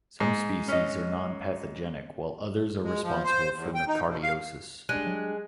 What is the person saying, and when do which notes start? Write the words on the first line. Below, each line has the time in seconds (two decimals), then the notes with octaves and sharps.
Some species are nonpathogenic, while others are responsible for nocardiosis.
0.20 G#2
0.68 C#4 D#5
2.83 G#3
3.03 F3
3.24 C5
3.54 E2
3.75 G5
3.88 D#4
4.07 B2
4.22 F5
4.89 G3 G#3 D4 F#6 D#7
5.07 F#3